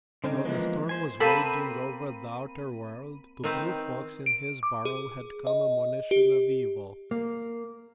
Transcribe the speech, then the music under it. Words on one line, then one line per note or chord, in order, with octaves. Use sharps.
Though the storm was raging over the outer world, to Blue Fox in his burrow had come a monition of evil.
D3 C4 C#4 D#4
E3 F3 G#3 A#3 B3
C5 G#5
A#3 C4 A4 B5 D#7
D#3 C4 B4
D7
D6
G#4
D#5
G4
A#3